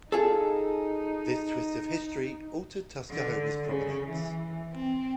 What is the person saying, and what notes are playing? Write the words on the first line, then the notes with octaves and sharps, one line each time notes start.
This twist of history altered Tuskahoma's prominence.
D#4 F4 G#4 A4
D3
C#3
E3
C4